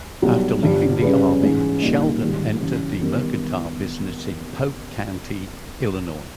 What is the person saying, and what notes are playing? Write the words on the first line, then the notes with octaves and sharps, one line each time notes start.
After leaving the Army, Sheldon entered the mercantile business in Pope County, Illinois.
B1 B2 G3
G1 G2 G3
C#3 G3 C#4 G#4 B4
G#2 E3 G#3 C#4
A#2 G3 A#3 D#4
G#1 G#2 G3
C#3 E3 G3
D#3 G3 B3